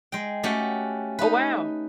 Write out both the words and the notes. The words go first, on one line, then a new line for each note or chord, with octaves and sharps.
Oh wow.
G#3 G5
A3 C#4 F#4 G4
D#4 B4